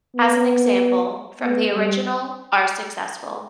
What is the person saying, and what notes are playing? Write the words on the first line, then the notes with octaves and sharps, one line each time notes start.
As an example, from the original ... are successful.
B3
B3
G3